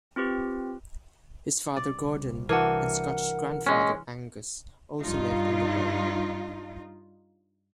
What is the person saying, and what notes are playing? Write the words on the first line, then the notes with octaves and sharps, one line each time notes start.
His father Gordon and Scottish grandfather Angus also lived in the Bay.
C4 F4 G4 B4
C2 D5
E3 D4 F#4 A#4 F#5
G#3 C#4
G2 D#4 F4